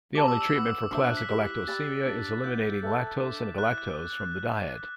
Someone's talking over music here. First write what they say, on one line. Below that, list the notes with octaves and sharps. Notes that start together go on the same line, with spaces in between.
The only treatment for classic galactosemia is eliminating lactose and galactose from the diet.
G4 D5 A5 D6
E6
E6
B4 F#5 B5
D4 F#4 C5 E5 E6
F#6
B6
E4 G4 B4
G4 D5 G5 B5 A6
D4 G4 D5
E4 B4 F#5 G6
A4 E5 A5
D4 A4 E5 D6
E4 B4 E5 F#6